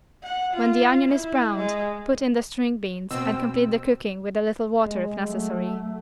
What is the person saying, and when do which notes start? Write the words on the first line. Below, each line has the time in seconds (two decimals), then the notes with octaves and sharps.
When the onion is browned put in the string beans and complete the cooking with a little water if necessary.
0.23 F#5
0.53 F4
1.08 E4
1.56 G#3
3.11 B2 C4 E6
4.80 G#3
5.22 F#3 A3